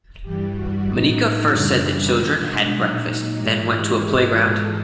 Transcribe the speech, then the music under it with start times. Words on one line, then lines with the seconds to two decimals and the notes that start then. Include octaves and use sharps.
Monika first said the children had breakfast, then went to a playground.
0.22 G2 E3 G3 G4
0.54 F#4
0.85 A2 F#3 D#4
1.48 F#2 C#3 E3 G3 D4
2.11 B2 G#3 D#4
2.43 D4
2.75 A#2 F#3 D#4
3.38 G#2 E3 G#3 G4
3.70 G4
4.01 G#2 E3 G#3 G#4
4.32 A4